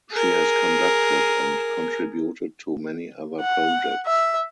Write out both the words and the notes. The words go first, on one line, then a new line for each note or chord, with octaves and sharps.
She has conducted and contributed to many other projects.
G#4 A#4
F#5
E5